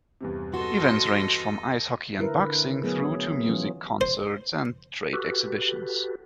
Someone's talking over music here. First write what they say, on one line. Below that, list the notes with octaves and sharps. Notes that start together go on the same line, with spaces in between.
Events ranged from ice hockey and boxing through to music concerts and trade exhibitions.
E2 G2 C3
F#4 A4 D#5 C6
D3 E4 A#4 B4
D3
F#3 A3 B3 G#4
E3 F#3 C#4 F4
C5
F#4 G4 A4 B4